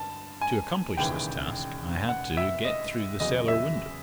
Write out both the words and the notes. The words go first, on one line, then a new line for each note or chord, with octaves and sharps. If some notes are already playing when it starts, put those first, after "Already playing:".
To accomplish this task I had to, get through the cellar window.
Already playing: G2 A5
G#5
E1 D#2 C#3 E3 G5
F#5
E5
D#5
E2 C#3 F#3 D#5
E5